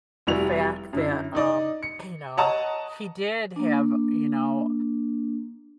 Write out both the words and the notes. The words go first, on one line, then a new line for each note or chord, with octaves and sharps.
the fact that, um, you know, he did have, you know
F1 G3 E4 F#4 F7
F#2 D3 E4
D#4 D5 D#5
C#7
C#5 D#5 F#5 A5 A#5 D#6
A#3 D4